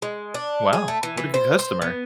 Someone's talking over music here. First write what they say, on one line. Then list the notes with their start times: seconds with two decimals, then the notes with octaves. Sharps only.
Wow. What a good customer.
0.02 G#3
0.34 D4
0.73 G#4
0.88 A3
1.03 E3
1.17 E3
1.34 C5
1.59 C5
1.82 B3